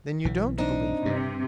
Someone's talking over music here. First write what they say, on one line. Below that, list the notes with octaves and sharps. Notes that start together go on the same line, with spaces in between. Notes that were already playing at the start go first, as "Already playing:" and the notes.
"Then you don't believe me?"
B1 E3
C4 D4 D#4
G2 C3